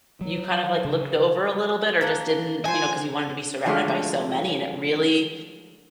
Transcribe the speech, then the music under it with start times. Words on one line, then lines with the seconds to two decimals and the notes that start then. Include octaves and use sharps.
you kind of, like, looked over a little bit or just didn't you know, 'cause you wanted to be surrounded by so many, and it really
0.21 F#3
0.85 C#3
2.01 A#3 A4 F#5
2.65 F3 C5 G#5
3.66 D3 F3 F#3 G#3 A3 F5